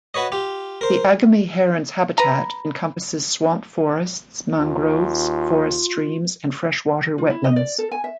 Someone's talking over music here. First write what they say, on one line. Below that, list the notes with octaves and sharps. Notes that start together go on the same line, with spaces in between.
The agami heron's habitat encompasses swamp forests, mangroves, forest streams and freshwater wetlands.
F#4 B4 C#5 D#5
F4 G4
A#4 C5
B4 A#5
D#2 F4
F4
E4
D#5
D5
A4
G#5
E5